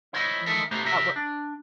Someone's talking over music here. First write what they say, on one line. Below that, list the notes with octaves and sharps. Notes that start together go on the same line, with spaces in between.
Mhm. At what
E4 C5 C#5 D#5
D#3 G#3 D#4 A4 A#4 E5
A2 A3 B3 G4 C5 A#5
C3 G4 A#4 E5
D4